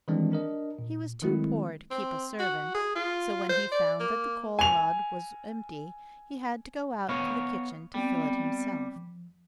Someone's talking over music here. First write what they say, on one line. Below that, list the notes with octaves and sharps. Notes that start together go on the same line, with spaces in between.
He was too poor to keep a servant, so when he found that the coal-hod was empty he had to go out to the kitchen to fill it himself.
D#3 E3 G3 G#3 C4 D4
D4 A#4 D#5
A#2
D#3 F#3 G#3 A3 C4 E4
C4
F#4
G#4
F4
C5
D5
A#3
G#5 F7
B3 C#5 F5
G3 B3 C4
F3